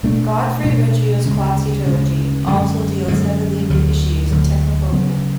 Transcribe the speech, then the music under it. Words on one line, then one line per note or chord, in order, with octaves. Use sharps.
Godfrey Reggio's Qatsi trilogy also deals heavily with issues of technophobia.
B2 A3 D4
B2 A3 D4
D2 C#3 G#3
D2 C#3 G#3
F#2 D3 G#3
F#2 D3 G#3
D2 D3 F#3
D2 D3 F#3
C#3 F#3 B3